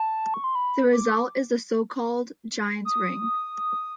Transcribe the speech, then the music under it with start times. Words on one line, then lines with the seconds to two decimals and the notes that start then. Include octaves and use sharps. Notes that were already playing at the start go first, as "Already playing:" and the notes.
The result is the so-called Giants' Ring.
Already playing: A5
0.34 C#6
0.44 C6
0.55 B5
0.93 D6
2.85 D#6